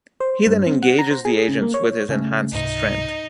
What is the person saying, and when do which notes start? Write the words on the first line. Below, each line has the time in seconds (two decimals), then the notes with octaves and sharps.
He then engages the agents with his enhanced strength.
0.20 C5
0.47 G2
0.67 C4
0.82 F#5
0.99 A#5
1.11 C5
1.25 G#4
1.49 C#3
1.62 A#3
1.74 C#5
2.09 C#3 A3 C#4
2.52 C#2 G#2 C3 D#4